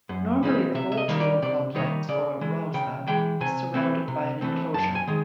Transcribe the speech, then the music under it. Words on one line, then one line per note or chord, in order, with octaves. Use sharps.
Normally the whole tomb complex or "rauza" is surrounded by an enclosure.
F#2
C#3 E3 G#3 C4
C3 E5
E5
D#5
D#3 G3 A#3 D#4
D5
C3 D5
D#3 G3 A#3 D#4 C#5
C#3 D5
E3 G#3
C#3 G5
E3 G#3 G5
C3 G#5
E3 A3 C4
C3
E3 A3 C4
F#2 A5
G#5
D#3 G#3